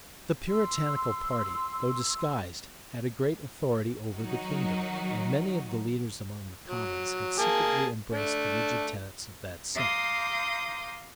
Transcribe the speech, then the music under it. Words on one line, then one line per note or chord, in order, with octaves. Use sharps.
The Puritanical party, though disguised, had a great authority over the kingdom; and many of the leaders among the commons had secretly embraced the rigid tenets of that sect.
C6 E6
D#3 F#3 D#4 F#4
F#3
A#3 G#4 A5
A3 D4
F5 A#5 C6 D6 D#6 G6